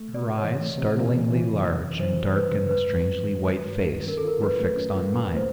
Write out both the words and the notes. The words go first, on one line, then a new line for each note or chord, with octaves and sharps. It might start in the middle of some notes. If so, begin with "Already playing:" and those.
Her eyes, startlingly large and dark in the strangely white face, were fixed on mine.
Already playing: A3
C3
D5
C3
C#5
E3
A3
C3
C3
E3
E3
F#2
F#2
C#3
E3 C5
F#2
F#2 B4
C#3
G#3 B4
G2
G2
D#3
G#3
G2
G2
D#3
C#4 A#4
A4
F4 A#4
F#3 B4
A3
C#4
F4
F#3
A3
C5